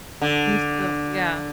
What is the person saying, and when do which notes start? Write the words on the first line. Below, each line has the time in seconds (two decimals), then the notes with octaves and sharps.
You still Yeah.
0.21 D3